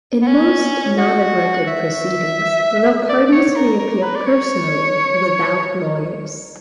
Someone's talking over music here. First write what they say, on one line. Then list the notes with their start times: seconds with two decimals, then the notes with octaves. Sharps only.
In most "not of record" proceedings, the parties may appear personally, without lawyers.
0.22 B3
0.27 C#4
0.98 F#4
1.68 E5
3.09 D5
3.27 D5
3.32 C#5
3.56 A#4
3.79 A#4
4.03 B4
4.15 D5
4.26 C#5